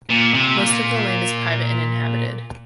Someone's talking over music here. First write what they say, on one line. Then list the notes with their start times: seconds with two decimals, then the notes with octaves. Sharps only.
Most of the land is private and inhabited.
0.10 A#2
0.34 C3
0.57 A#2